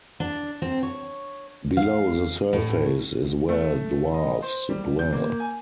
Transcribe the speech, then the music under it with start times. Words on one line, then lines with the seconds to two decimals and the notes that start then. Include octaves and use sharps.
Below the surface is where dwarves dwell.
0.20 D4
0.62 C4
0.83 C#5
1.77 F5
2.53 A2
3.49 A3
4.14 D#5
4.42 C5
4.69 G3
4.99 G6
5.13 A#3
5.40 G#5